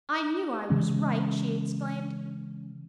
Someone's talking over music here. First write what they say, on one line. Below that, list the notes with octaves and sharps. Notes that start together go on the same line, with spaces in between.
"I knew I was right!" she exclaimed.
C#3 E3 G#3 C#4